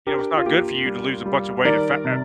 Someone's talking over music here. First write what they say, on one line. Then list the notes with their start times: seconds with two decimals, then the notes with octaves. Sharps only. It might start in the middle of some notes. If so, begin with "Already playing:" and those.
you know, it's not good for you to lose a bunch of weight at f at,
0.07 D4 G4 A#4
0.37 F4
0.46 A#3 G4
0.86 G3
1.26 G3
1.65 D#3 A#4 D5
2.05 C3